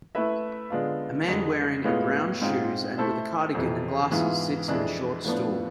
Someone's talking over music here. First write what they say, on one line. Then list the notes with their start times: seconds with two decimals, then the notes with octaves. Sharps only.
A man wearing a brown shoes and with a cardigan and glasses sits in a short stool.
0.15 A3 E4 B4 E5
0.70 D3 G#3 B3 D4 F4
1.28 F2 D3 G#3
1.84 A2 G#3 B3 F4
2.42 G#2 G#3 C4 F4
2.98 A3 E4 A4 C5
3.55 F2 C3 E3
4.12 G#2 E3 B3 F4 G#4
4.68 F2 E3 G#3 D4
5.25 A2 F3 B3 D4